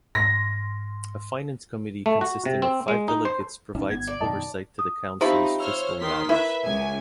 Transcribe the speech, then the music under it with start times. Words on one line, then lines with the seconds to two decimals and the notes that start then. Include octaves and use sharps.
A Finance Committee consisting of five Delegates provides oversight to the Council's fiscal matters.
0.15 G#2 C6 A#6
2.06 A3
2.21 F#4
2.45 C3
2.62 C4
2.88 G#3
3.08 D#4
3.25 C5
3.75 D1 A#1 C#4 D#4
3.90 G1 B3 G#6
4.07 D5
4.20 F#2 B2 D#3 D#5 A5
4.79 D#6
5.21 F3 C4 D#4 E4 G4 B5
5.60 C5 C#5 E6 F6
5.99 D#3 C6 B6
6.29 E4 A#4 B4 E5 B6
6.65 C#2 G#5